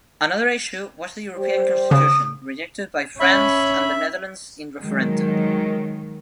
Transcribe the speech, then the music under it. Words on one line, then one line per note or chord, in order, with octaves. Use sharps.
Another issue was the European Constitution, rejected by France and the Netherlands in referenda.
G3 G4 C5
C#3 D#6
C#4 C#5 E5 B5
D#3 F#3 G#3